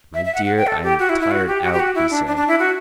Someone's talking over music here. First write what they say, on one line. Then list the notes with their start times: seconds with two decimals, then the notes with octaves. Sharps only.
"My dear, I am tired out," he said.
0.14 E5
0.25 E5
0.35 F#5
0.45 F#5
0.57 G5
0.67 A4
0.83 G4
0.99 F#4
1.09 E4
1.21 E4
1.31 F#4
1.47 G4
1.62 F#4
1.73 G4
1.79 F#4
1.95 E4
2.11 D4
2.27 D4
2.37 D4
2.48 E4
2.59 F#4